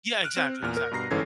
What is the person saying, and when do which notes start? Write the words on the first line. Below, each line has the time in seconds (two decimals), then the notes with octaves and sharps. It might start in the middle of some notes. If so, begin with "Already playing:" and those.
Yeah, exactly, exactly.
0.24 F6 F#6 D7
0.37 C4
0.62 E2 A#2 F6
0.77 A#4
0.91 G2 B2 A#5 A#6 C7
1.11 G1 G#2 E3 C#4 A4 G#6